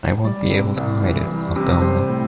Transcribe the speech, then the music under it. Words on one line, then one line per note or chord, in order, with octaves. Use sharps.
I won't be able to hide it after all.
G3 D5
C3
C2
E3
G3
C3
G3 C5
A2